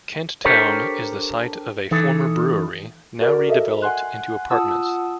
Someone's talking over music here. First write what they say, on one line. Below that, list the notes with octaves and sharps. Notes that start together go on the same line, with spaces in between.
Kent Town is the site of a former brewery, now redeveloped into apartments.
D4 G4 A4 A#4 C5 C#5
E3 D#4 A4
F#4 A#4 D5
A4 D#5 E5
F#5 G#5 C6 F#6
F4 F#5 A5 D#6 E6